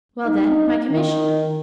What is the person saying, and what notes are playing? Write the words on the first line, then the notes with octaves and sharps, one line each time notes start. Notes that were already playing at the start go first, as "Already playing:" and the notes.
"Well, then,--my commission?"
D#4
D#3